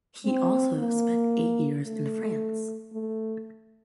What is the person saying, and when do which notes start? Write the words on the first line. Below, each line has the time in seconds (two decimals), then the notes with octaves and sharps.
He also spent eight years in France.
0.25 C4
0.79 A#3
1.86 A3
2.93 A3